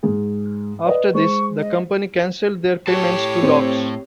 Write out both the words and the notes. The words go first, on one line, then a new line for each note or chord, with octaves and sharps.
After this, the company canceled their payments to Iops.
G#2 G#4
B4 D5 D#5
G#3 C5 C#6
D#5
A2 G4 C#5 A5
C4